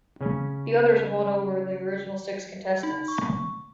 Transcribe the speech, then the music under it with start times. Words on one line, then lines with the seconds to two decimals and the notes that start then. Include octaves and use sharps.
The others won over the original six contestants.
0.21 C#3 C#4
2.83 D#4
3.08 C#6